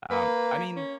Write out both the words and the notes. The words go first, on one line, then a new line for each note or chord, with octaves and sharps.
Um, I mean,
A#3 B4
C#4